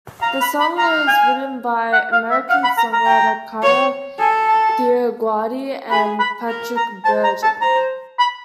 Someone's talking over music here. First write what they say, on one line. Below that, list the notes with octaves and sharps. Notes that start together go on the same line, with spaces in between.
The song was written by American songwriter Kara DioGuardi and Patrik Berger.
F5 A#5
B5
B5
F5 A#5
G#5
F#5
F5
E5
F5 F#5
B5
A#5
A#5
G5
C#5
A4 G#5
A5
G#4 B5
B5
A#4
A#5
C5 A5
A#5
A5
C5 A#5
B5